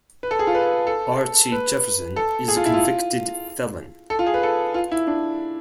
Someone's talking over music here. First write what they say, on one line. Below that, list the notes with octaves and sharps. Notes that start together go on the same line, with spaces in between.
Archie Jefferson is a convicted felon.
B4
A4
G#4
F4
B4
A4
B4
A4
G#4
F4
E4
F4
A4
F4
G#4
B4
A4
F4
E4
D4